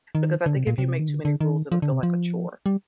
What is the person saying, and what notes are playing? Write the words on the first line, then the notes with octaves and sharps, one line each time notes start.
because I think if you make too many rules, it'll feel like a chore.
D#3
D3
C3
A#2
C3
D#3
D3
D3
D#3
F3
D3
C3
F3
G3